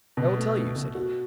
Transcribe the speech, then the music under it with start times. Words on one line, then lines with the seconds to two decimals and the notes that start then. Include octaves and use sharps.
"I will tell you," said he.
0.17 B2
0.37 A3
0.56 A3
0.76 B2
0.95 F#4